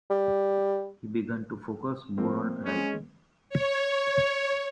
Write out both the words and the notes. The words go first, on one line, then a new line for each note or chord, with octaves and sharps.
He began to focus more on writing.
G3
F3 A#3 C4
G#3 C#4
C#5